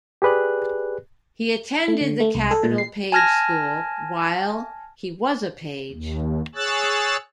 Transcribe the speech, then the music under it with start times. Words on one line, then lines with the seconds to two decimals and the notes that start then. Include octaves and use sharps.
He attended the Capitol Page School while he was a Page.
0.22 G4 G#4 B4 D5 F#6
1.88 A3
2.01 D3
2.20 A3
2.35 C2
2.51 A4
2.63 A#2
2.78 C7
3.12 G#5 A5 F6 G#6 A#6
5.91 D#2
6.55 G#4 C#5 E6 F#6 A6